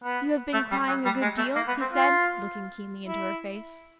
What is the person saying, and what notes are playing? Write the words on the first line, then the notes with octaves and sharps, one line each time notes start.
"You have been crying a good deal," he said, looking keenly into her face.
B3
A3
G3
F#3
G3
G#3
A3
A#3
B3
C4
F4
E4